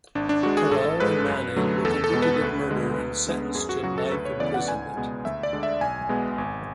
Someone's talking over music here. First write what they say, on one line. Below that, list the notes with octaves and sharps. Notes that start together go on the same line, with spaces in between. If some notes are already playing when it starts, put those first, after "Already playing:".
Kouao and Manning were convicted of murder and sentenced to life imprisonment.
G#1 D4
D4
G#2 G#3 F#4
G#4
A1 A4
G#2 G#3 B4
F#2
D3 F#3 A3
E2 A4
A4
B2 G#3 B3
B4
D2
D3 G#3 B3
D2
D3 G#3 B3
F#2 G#4
F#4
C#3 F#3 F#4
A4
D2 B4
C#5
C#3 E3 B3 D5
F#5
C#2 G#5
B2 G#3 B3
D2 E5
D5
D3 G#3
E5
B1 G#5
B2 G#3 B3
G#1